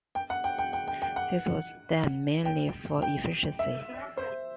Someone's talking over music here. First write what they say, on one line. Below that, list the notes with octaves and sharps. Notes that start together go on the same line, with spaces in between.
This was done mainly for efficiency.
G5
F#5
G5
G5
G5
G5
G5
F#5
G5
G5
E5
C5